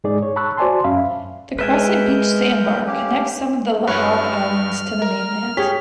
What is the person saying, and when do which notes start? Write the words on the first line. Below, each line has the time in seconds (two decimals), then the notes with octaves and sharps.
The Crescent Beach sand bar connects some of the LaHave Islands to the mainland.
0.04 G#2 G#3 D#4 G#4 D5
0.22 C#5
0.36 A5 B5 C#6 E6 F#6
0.57 F#4 C5 D5 G#5 A5 C6
0.84 F#2 C#4 E5 F5 B5
1.59 G#3 A#4 B4 E5 G#5 G6
2.87 A#3 C#4 G4
3.87 G2 B4 C#5 F#5 F6
5.02 A#4
5.57 G4 G#4 C#5 B6